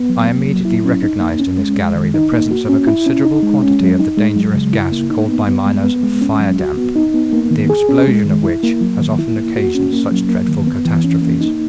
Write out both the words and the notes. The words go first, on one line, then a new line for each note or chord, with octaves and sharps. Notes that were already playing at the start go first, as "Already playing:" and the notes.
I immediately recognised in this gallery the presence of a considerable quantity of the dangerous gas called by miners firedamp, the explosion of which has often occasioned such dreadful catastrophes.
Already playing: B3
F#3
A#3
F#3
E4
C#4
D#4
A#3
C#4
G#3
G#3
D#3
D#4
A#3
F#4
C#4
E4
C#4
D#4
G#3
C#4
F#3
D#4
G#3
F#3
C#3
E4
A#3
D#4
B3
B3
G#3
B3
G#3
C#4
F#3
F#4
B3
D#4
B3
A#3
D#3
G#4
C#4
G#3
D#3
E4
A#3
F#3
D#3
E4
A#3
F#4
C#4
A#3
F#3
A#3
D#3
B3
E3
C#4
A#3
D#4